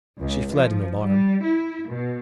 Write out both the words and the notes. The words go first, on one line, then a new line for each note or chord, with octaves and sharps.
She fled in alarm.
C#2
F3
G3
E4
B2